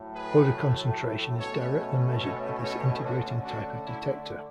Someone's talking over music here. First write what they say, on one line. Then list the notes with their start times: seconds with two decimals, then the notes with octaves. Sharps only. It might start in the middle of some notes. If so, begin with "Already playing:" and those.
Odor concentration is directly measured with this integrating type of detector.
Already playing: A2 F#3 A3
0.14 G#4 B4
1.38 B2 A3 C#4 A4 C#5
2.20 A4 C#5
2.62 A4 C#5
3.03 D3 A3 C#4 D4 F#4
3.44 D4 F#4
3.85 C#4 E4